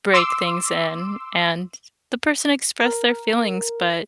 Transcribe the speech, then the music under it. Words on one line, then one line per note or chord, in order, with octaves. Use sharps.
break things in and the person expressed their feelings, but
C6 D6 E6
A#4